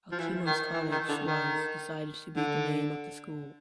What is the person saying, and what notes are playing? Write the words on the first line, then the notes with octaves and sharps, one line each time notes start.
Alkimos College was decided to be the name of the school.
F3
E3
D#3
E3
D#3
D3
D#3
D3